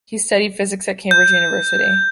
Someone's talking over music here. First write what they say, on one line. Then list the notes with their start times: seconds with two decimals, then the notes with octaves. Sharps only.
He studied physics at Cambridge University.
1.11 G6